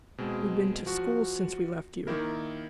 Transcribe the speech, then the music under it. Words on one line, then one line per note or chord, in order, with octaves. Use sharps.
"We've been to school since we left you."
B2 G#3 C4
F3 F#4
D#3 A#3 E4 A#4